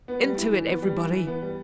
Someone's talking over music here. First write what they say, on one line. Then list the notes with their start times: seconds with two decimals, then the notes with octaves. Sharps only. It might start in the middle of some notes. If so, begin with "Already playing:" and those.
"Into it, everybody!"
0.08 B3
0.22 G3
0.37 E4
0.52 E3
0.67 B3
0.82 G3
0.97 E4
1.11 E3
1.27 B3
1.42 G3